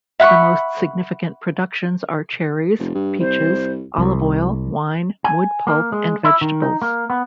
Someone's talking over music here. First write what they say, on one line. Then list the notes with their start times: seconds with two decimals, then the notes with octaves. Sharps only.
The most significant productions are cherries, peaches, olive oil, wine, wood pulp and vegetables.
0.20 E5 F#5 B5 C#6
2.79 F1
2.95 G2
3.20 C2 C5
3.98 C2
5.24 G#5
5.67 A#3
5.92 G#3
6.24 E4
6.41 D#3
6.62 D#4
6.82 A#3
7.10 B3